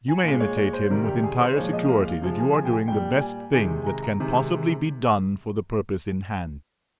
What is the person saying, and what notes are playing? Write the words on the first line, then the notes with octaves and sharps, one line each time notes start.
You may imitate him with entire security that you are doing the best thing that can possibly be done for the purpose in hand.
G#5
A#2 G#3 F5
C#5
C#5
C5
C3 D#3 G3 A#4
G4
G#4
C5
A#2 F3 G#3 C#5
D#5
F5
F5
C3 F3 G#3
G#5
G#5
G5
G#5
A#2 G3 G5
G#5
C3 D#3 G#3 G#5
G#5
A#5
A#5
C3 D#3 G#3